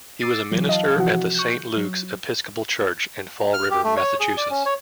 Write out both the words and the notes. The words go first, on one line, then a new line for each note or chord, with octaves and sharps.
He was a minister at the Saint Lukes Episcopal Church in Fall River, Massachusetts.
D6 E6 A6 C7 D7 D#7
E3 F#3
D#5 F5 A5
C3 E3 F3 F#4 F#5
C#6 F#6 G6
F#3
F6
G4
A3
C#5
G#4
D5
C#4
C#5